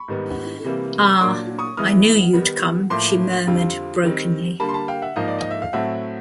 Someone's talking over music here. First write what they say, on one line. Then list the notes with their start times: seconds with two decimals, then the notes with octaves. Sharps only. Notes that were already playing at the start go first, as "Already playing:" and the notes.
"Ah, I knew you'd come," she murmured brokenly.
Already playing: B5 C#6
0.08 G#2 D#3 G3 B3
0.64 C3 E3 G3 A#3
1.21 A#2 F#3 A#3 D4 C6 D6
1.59 C#6 D#6
1.77 E3 G#3 B3 E4 D#6 F6
2.33 D#3 G3 B3 D#4
2.90 A2 F3 A#3 C6 D6
3.47 F2 D3 G3 C4 F4
4.03 D#3 G3 C4 D#4
4.60 D3 G3 A#3 A5 B5
4.69 C6
4.74 A5 B5
4.88 F5 G5
5.02 E5 F#5
5.16 G#2 F3 A#3 D#4 D#5 F5
5.28 D5
5.38 D#5
5.51 E5
5.62 F5
5.73 A2 F#3 A3 C4 E5 F#5